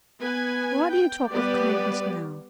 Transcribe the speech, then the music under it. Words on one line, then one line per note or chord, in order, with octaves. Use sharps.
"Why do you talk of kindness now?"
B3 B4 G#5
G5
G3 B3 G4 B4 D5